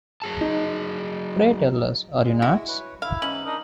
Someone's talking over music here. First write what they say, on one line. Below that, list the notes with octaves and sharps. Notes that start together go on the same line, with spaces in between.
Pray tell us, are you nuts?
F#3 G#4 A5
D#4
G#3
E4 F#4
B4 C#5
D3 E4 F5
G#2 E3 C#4 D#4 F#7
D4 D#4 A#4